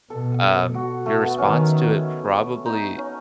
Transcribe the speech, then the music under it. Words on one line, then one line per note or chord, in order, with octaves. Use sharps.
um, your response to it probably
B2 A4
F#4
A3
B3
D#3 C#4
D#4
C#4